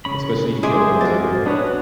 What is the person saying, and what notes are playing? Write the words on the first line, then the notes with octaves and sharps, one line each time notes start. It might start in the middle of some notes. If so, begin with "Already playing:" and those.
especially if you have warm weather,
C#3 C#4 B5
G#3 G4 G#4 C5 E5 G#5 D6 D#6
C4 F#4 A#4 A6
B3 C#4 D4 F#4 B4 C#5